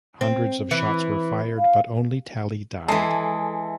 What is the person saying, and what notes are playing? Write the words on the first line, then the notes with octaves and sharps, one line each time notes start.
Hundreds of shots were fired, but only Talley died.
C4
E3
F5
E3 G#3 A4 C7